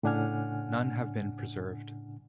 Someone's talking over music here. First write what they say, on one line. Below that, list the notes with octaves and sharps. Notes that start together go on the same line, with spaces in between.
None have been preserved.
A2 C#3 D4 F#5 G#5 F6